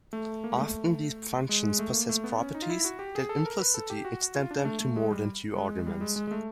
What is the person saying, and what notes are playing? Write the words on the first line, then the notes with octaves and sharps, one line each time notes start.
Often these functions possess properties that implicitly extend them to more than two arguments.
A3
A#3
G#3
A3
G#3
G#3
A3
A#3
A3
B3
C#4
D#4
F4
E4
F#4
G4
G#4
A4
A#4
B4
A4
G4
F#4
F4
D4
A3
A3
G#3
G3
G#3
G3
G#3
G#3
G#3
A3